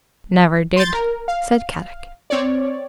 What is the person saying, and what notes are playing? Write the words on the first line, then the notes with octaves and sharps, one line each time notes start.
"Never did," said Kadok.
C6 G6 A6
A#4
F5
C4 C#5 D5